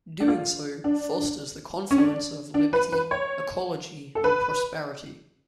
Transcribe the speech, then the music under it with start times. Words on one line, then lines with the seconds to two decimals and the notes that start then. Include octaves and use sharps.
Doing so fosters the confluence of liberty, ecology, and prosperity.
0.20 D4
0.28 F4
0.84 D4
1.91 C#4
1.98 D4
2.54 D4
2.73 B4
2.92 B4
3.11 C#5
4.15 A4
4.24 B4